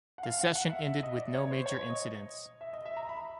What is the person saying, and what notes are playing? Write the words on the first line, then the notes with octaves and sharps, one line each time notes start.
The session ended with no major incidents.
F#5
F5
F#5
F#5
E5
E5
D#5
D5
C#5
C5
C#5
D#5
E5
D#5
E5
A#5
B5